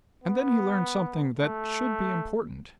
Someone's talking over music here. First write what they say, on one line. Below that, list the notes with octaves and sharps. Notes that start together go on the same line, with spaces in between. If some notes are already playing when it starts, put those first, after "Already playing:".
And then he learned something that should be important.
B3
A3